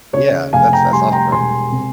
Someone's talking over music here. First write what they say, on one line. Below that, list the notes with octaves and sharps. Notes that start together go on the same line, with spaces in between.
Yeah, that's that's awesome, bro.
C#3 C#5
F1 F5 G#5
G5 A#5
G3 G#5 C6
G5 A#5
E1 G#5 C6
C3